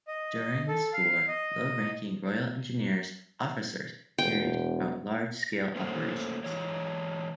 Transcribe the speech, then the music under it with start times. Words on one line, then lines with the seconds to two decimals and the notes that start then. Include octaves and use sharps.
During this war low ranking Royal Engineers officers carried out large scale operations.
0.08 D#5
0.68 A4
0.93 F5
1.28 D#5
4.18 E1 G5
5.76 A3 A#3 C#4 C5
6.44 E3 G#3 C#5